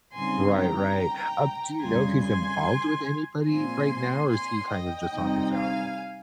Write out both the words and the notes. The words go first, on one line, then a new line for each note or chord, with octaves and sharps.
Right, right. Um, do you know if he's involved with anybody right now or is he kind of just on his own?
C#3 G3 C4 D#4 G#5 C6
G5 A#5
F2 C#3 G3 G#5 C6
G#5 C6
A#2 F3 G#3 C4 G#5 C6
G#5 C6
D#5 G5
C3 G3 C4 D#4
F5 G#5